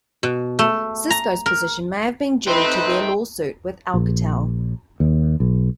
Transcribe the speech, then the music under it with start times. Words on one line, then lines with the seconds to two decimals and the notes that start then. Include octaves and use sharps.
Cisco's position may have been due to their lawsuit with Alcatel.
0.23 B2
0.59 A3
1.10 A#5
1.46 A#4
2.47 C3 A3 D#4 B4 G5 C6
3.94 A#1
5.00 D#2
5.40 B1